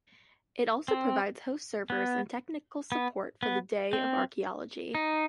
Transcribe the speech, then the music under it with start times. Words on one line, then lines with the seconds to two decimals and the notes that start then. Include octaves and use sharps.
It also provides host servers and technical support for the Day of Archaeology.
0.88 C4
1.90 B3
2.92 B3
3.43 B3
3.93 C4
4.95 D#4